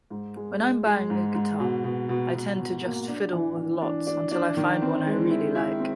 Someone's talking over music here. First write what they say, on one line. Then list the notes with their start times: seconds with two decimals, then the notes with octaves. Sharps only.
When I'm buying a guitar I tend to just fiddle with lots until I find one I really like.
0.10 G#2
0.36 G#3
0.60 G#3
0.86 G#3
1.10 G#2
1.34 G#2
1.60 B2
1.84 B2
2.09 B2
2.33 B2
2.58 B2
2.83 A#3
3.08 D4
3.33 E3
3.57 E3
3.82 D4
4.07 D4
4.32 D4
4.57 D#3
4.82 C4
5.06 G#3
5.30 E4
5.55 E4
5.79 C4